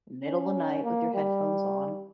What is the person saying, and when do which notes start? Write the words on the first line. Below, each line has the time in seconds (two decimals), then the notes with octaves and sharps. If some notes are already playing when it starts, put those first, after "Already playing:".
middle the night with your headphones on,
0.23 C#4
0.83 A#3
1.14 G3